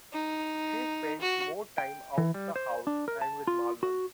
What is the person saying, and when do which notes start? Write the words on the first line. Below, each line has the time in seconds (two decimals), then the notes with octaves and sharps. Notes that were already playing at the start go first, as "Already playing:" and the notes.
She spends more time out the house and with Marlon.
0.12 D#4
1.21 F#4
1.78 G5
2.18 E3
2.34 G3
2.56 C5
2.87 D4
3.08 A#4
3.22 A5
3.47 F4
3.83 F#4